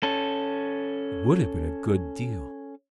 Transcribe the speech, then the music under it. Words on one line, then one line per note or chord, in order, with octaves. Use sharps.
It would have been a good deal.
C#4 A4